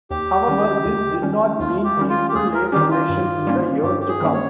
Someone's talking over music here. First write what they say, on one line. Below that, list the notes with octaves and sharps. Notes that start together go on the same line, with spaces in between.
However, this did not mean peaceful labor relations in the years to come.
D#2 G4
D#3 G3 C#4
D#2
D#3 G3 C#4
D#2 F4
G4
D#3 G3 C#4
F4
G4
D#2 G#4
A#4
D#3 G3 C#4 G4
F4
G2
D#3 G3 A#3 C#4
G2 G4
G4
G#4
D#3 G3 A#3 C#4
C#5